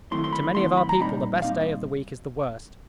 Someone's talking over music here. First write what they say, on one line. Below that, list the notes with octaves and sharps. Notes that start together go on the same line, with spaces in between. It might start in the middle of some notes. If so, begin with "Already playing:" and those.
To many of our people the best day of the week is the worst.
D#3 F#3 A3 C4 E4 C6
C6
B5
D#3 F#3 A3 C4 E4 C6
B5
A#5
A#2 G3 C4 D#4 B5
A#2 G3 C4 D#4 F5